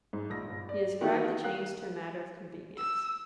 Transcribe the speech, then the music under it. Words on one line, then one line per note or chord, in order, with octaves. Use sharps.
He ascribed the change to a matter of convenience.
G#2
A#1 A#6
G1
D5
D#3 E3 A#3 F#4 G4
A#4 F5 F#6
E6